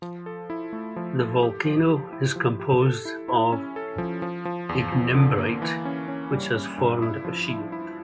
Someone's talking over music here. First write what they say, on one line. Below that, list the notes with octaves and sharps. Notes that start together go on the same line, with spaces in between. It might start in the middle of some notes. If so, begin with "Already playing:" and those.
The volcano is composed of ignimbrite, which has formed a shield.
F3
A4
E4
A3
F3
A4
G4
F3
G4
E4
F3
G4
A4
E4
E4
C#4
A4
F3
F3
F3
E2
F3
D3
A#3
E3
C#4
C#4
G3
C#4
G2
E4
F3
E4
E4